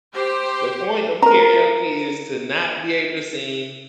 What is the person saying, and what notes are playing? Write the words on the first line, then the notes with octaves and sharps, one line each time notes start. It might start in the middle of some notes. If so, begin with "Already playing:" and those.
The point of karaoke is to not be able to sing
G4 C5
A#4 A#5